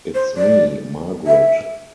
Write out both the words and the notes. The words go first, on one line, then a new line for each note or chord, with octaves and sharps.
It's Me, Margaret.
C5
D5
E5